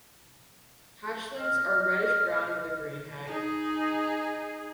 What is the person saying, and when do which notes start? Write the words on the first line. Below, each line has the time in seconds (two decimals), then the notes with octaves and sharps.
Hatchlings are reddish brown with a green head.
1.37 D#5 F6
3.26 D#4 G#4